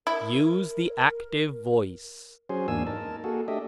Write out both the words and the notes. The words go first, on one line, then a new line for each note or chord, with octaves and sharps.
Use the active voice.
E4 A#4
F#3 C#4 G#4 C5
E2 G#2 A#3 D4 G#5 E6
D#4 A#4 A5
A#3 F#4 G#4 A4
A3 D4 G4 D#5 E5